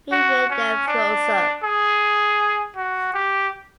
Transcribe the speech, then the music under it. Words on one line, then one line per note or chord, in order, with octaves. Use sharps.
Vivian then throws up.
F#4
C#4
D4
G#4
F#4
G4